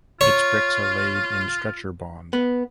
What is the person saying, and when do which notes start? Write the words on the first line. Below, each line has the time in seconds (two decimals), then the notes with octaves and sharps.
Its bricks are laid in stretcher bond.
0.21 F4 C#5
2.33 B3